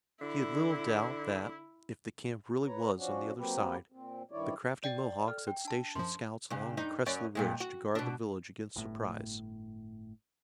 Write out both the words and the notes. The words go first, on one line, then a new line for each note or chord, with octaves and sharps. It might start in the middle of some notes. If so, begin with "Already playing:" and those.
He had little doubt that, if the camp really was on the other side, the crafty Mohawks had stationed scouts along the crest of the ridge to guard the village against surprise.
D3 E4
B4 C#5 A#5
F3 C#4 D4 F#4
F#3 A#3 C4 G4 B4
A#2 C4
G2 D#3 E4 C#5 D5
D5 G5 A6
A4 F6
G5
D4 A5
F#2 F3 C6
G2 C#3
G2 D#4
F#2 C#4 D5
G2 A#2 G#3
F#4
B2 D4
G1 A2